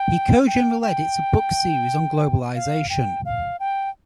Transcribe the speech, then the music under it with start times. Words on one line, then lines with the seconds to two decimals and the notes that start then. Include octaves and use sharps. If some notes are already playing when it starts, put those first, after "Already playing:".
He co-general-edits a book series on globalization.
Already playing: G5
0.47 G5
0.81 G5
2.55 F5
2.90 G5
3.25 F5
3.60 G5